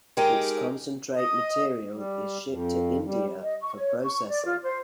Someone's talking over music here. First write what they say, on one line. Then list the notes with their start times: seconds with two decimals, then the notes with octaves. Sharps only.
Its concentrate material is shipped to India for processing.
0.17 G#3 D#4 G4 G#4 A#4
1.16 D#5
1.95 G3
2.49 F2
3.06 G3
3.43 D#5
3.61 C#6
3.76 C#5
4.03 C#6
4.29 D5
4.45 F4
4.63 C5